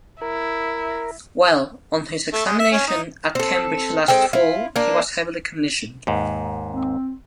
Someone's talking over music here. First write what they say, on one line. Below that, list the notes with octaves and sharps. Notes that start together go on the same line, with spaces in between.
Well, on his examination at Cambridge last fall, he was heavily conditioned.
E4 A#4
A3
G#3
E5
C#4
D#4
C4 A4
G#3 C4 A4 G5
E4 F4
A#3 D4
D#2 G#2
C4